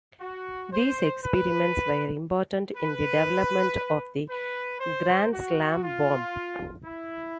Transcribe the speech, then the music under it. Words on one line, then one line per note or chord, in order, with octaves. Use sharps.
These experiments were important in the development of the Grand Slam bomb.
F#4
C5
B4
B4
B4
C5
F#4
F4
E4